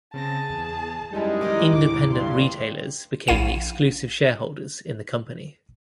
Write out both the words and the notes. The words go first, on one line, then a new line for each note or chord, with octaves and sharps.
Independent retailers became the exclusive shareholders in the company.
C#3 C4 G#4 A5 A#6
E2
F#2 G3 G#3 D#4 E4
D#3 E3 D#4 D#5 D6 F6
D#2 A2 D3 D6
A#1 G2 C6
A#1 E4 F5 D#7